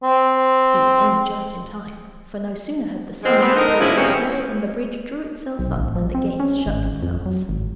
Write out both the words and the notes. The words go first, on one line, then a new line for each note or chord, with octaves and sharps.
He was only just in time, for no sooner had the sun disappeared altogether, than the bridge drew itself up and the gates shut themselves.
C4
F2 G#3 C4
B3 C4
D3 D#4 A#4
G#2 D3 F3 A#3 C#4 E4
D#2 B2 E3 F#3 C4 C#4
B1
A1
F3
C4
C#4
G#1
F2
F#3
G#1